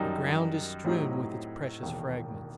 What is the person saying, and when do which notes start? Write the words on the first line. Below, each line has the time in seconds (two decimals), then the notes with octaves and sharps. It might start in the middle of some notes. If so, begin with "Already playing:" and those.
The ground is strewn with its precious fragments.
Already playing: F#2 D#3 G3 D#4
0.85 A2 F#3 C4 D#4 G4
1.83 E1 D#2 D#3